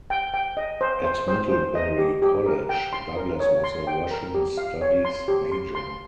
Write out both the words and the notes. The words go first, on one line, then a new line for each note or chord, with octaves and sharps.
At Middlebury College, Douglas was a Russian Studies major.
G5
G5
D#5
C5
C5
C5
C5
D#5
G4
G4
A#4
G5
C6
A#4
C#5
C6
G5
A#4
G4
F5
C#5
C6
G4
C6
C6